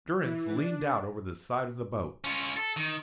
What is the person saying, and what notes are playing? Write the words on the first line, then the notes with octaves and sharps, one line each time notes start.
Durrance leaned out over the side of the boat.
E3
D4
C#4 F4
A4
D#3